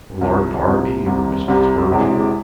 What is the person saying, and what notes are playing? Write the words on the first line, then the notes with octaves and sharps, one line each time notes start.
Or Lord Derby, or Mr. Spurgeon.
C2 C3 F3
C2 C3 F3
C2 C3 G3
C2 C3 G3
E1 E2 C3 E3